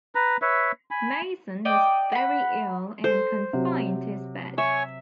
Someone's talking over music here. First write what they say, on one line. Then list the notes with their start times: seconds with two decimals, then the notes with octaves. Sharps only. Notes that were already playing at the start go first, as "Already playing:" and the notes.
Mason was very ill and confined to his bed.
0.15 B4 A#5
0.42 B4 C#5 E5
0.91 G#5 B5
1.65 D5 D#5 G5
2.12 F#5 B5
3.04 A4 C5
3.53 C3 F#3
4.58 C#5 E5 G#5 C#6